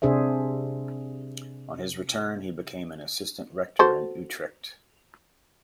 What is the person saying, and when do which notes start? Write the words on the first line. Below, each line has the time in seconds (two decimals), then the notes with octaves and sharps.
On his return, he became an assistant rector in Utrecht.
0.02 C3 D4 G#4 C5 E5
3.79 F#4 A4 C5